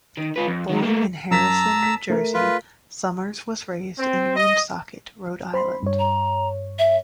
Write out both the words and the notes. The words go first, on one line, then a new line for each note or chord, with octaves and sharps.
Born in Harrison, New Jersey, Summers was raised in Woonsocket, Rhode Island.
D#3
F4 B4
F2
D#3 G#3
A3 A#3
F#2 A5 A#5 E6 B6
B6
A3 A#4
F4 B4
C4
D#5
C5 B5 C6
G2 C#5
A#5
E5